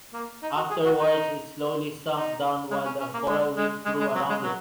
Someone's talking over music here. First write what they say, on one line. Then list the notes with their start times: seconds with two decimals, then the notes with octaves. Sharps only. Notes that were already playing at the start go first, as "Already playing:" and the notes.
Afterwards, it slowly sunk down while the coral reef grew around it.
0.13 A#3
0.42 D#4
0.57 F#4
0.70 G#4
0.85 F#4
0.99 D#4
2.14 D#4
2.71 G#3
2.85 C#4
3.00 C#4
3.14 A#3
3.28 G#3
3.57 G#3
3.85 G#3
4.00 G#3
4.15 F#3
4.29 G#3
4.43 F#3